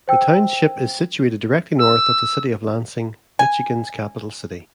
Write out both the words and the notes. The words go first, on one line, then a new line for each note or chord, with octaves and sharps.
The township is situated directly north of the city of Lansing, Michigan's capital city.
C5 G5 E6
E6
G#5